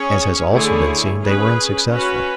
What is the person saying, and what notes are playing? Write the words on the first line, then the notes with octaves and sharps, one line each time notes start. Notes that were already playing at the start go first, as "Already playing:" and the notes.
As has also been seen, they were unsuccessful.
Already playing: C#4 G#4 C#5
D3 A3 E4 G#4 C#5
C#4 G#4 B4
C#4 F#4 B4